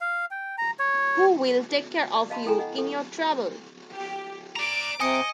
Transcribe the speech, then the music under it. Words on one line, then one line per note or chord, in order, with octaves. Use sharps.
Who will take care of you in your trouble?
F5
G5
A#5
C#5
D5
D#5 F5 A5 B5 C6
E4 A4 G5 G#5 A#5
D#5 F#5
A4
G4
D5 A#5 D6 D7
C3 D#5 G#5 D#6 C#7